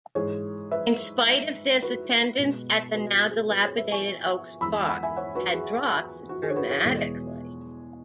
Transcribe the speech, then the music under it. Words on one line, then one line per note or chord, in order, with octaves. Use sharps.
In spite of this, attendance at the now-dilapidated Oaks Park had dropped dramatically.
G#2 E3 G#3 G#4 C#5
B4 E5
F#4 B4
B2 G#3
F#4 B4
F#4
G#4
F#4 B4
G#4 C#5
B4 E5
G#5 C#6
E2 E3 G#3 B5 E6
F#5 B5
E5 G#5
C#5 F#5
F#4 B4
G#4
F#4
G#4
C#5
F#4 B4
G#4 C#5
E2 B2 G#3